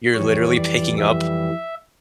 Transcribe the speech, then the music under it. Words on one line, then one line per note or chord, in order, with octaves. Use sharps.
you're literally picking up
F2 E3 G3 C#5
D5
E5